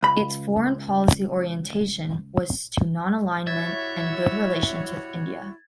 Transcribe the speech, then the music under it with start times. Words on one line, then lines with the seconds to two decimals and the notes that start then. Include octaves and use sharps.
Its foreign policy orientation was to nonalignment and good relations with India.
0.03 C#2 B5
3.47 G3 E4 F#4 C#5 E5 G#6 A6